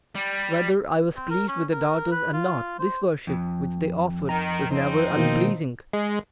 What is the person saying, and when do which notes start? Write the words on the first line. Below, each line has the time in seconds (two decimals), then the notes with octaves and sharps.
Whether I was pleased with their daughters or not, this worship which they offered was never unpleasing.
0.15 G3
1.17 C4
1.31 A#4
1.48 C#4
1.73 A#4
2.12 B4
2.34 F4
2.79 C5
3.27 F2
4.29 D#3 A#5
4.70 F3 C4 D#4
5.16 B2 D#3 A#3
5.93 G#3